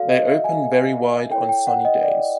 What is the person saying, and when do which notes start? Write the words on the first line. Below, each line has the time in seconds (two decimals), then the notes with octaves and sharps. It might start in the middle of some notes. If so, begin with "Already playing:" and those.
They open very wide on sunny days.
Already playing: F#4 A4 D5 F5
0.09 D#5
0.27 E5
0.44 G#5
1.31 E4 A4 C#5 G5
1.49 G5
1.67 F#5
1.85 D#5
2.03 D5